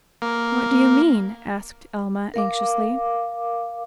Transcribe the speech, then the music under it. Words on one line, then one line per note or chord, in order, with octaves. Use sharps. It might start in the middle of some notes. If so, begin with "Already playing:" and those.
"What do you mean?" asked Alma anxiously.
A#3
A#4 F5 D6